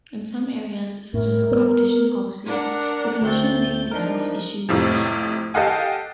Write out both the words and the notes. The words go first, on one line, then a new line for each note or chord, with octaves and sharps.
In some areas, such as competition policy, the Commission may itself issue decisions.
A2 A#4
B3
D4 A#4 F#5
D2 A3 C4 G6 A6
F3 D4 D#4 A#4
F2 A2 C3 F3
G4 A4 D#5 F5 F#5 G#5